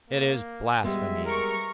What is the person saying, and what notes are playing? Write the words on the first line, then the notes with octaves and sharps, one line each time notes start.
"It is blasphemy!"
A#3
G3 G#3 B3 E5
A#4 A#5 C#6